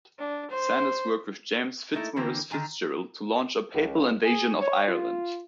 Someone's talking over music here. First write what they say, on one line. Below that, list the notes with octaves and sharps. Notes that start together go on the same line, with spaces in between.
Sanders worked with James Fitzmaurice Fitzgerald to launch a papal invasion of Ireland.
D4
C5
A3 A#3 D#4 E4 A4
D3 E3 A#3 C4
D3 D#3 G#5 A#5
C#2
G#4
C#5
F4